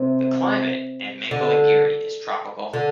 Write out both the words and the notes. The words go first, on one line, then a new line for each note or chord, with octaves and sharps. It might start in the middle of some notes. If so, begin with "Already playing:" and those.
The climate in Mangalagiri is tropical.
Already playing: C3
D3
D3